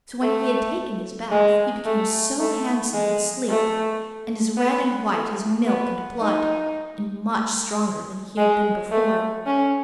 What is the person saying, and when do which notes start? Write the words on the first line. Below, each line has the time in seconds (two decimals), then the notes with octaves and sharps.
So when he had taken his bath, he became so handsome and sleek, and as red and white as milk and blood, and much stronger than he had been before.
0.22 A3
1.32 G#3
1.86 A3
2.40 A3
2.93 G#3
3.48 A3
4.57 B3
5.12 A3
5.66 B3
6.20 D#4
8.37 G#3
8.92 A3
9.46 C#4